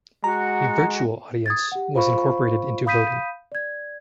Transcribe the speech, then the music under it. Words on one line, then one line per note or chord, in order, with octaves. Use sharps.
A "virtual audience" was incorporated into voting.
G#3 F#4 A#5
D#6 G#6 A6
G4 F#5
F4 C5 F5 B5 C#6
F5 B5 D#6 G6 B6 D#7
D5 G#6